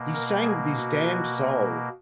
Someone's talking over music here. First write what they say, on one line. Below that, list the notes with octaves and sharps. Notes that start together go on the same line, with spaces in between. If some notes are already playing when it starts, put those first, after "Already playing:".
He sang with his damn soul.
Already playing: B2 A#3
A#4
G#4
F#4